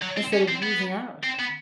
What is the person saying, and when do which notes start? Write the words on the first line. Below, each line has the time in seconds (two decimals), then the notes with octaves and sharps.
instead of using ours,
0.02 F#3
0.17 C4
0.33 C#4
0.49 C4
0.63 B3
1.24 C4
1.39 B3